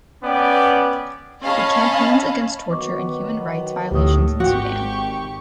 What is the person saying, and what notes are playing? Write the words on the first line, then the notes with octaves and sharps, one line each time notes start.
He campaigns against torture and human rights violations in Sudan.
B3 C#4 D5 G5 D6
C#4 C#5 D#5 F5 A5 B5
D#3 F#3 B3 D#5 C#6 D6
D2 A2 G4 C#5 D#6
G#1 F#4 G4 C#6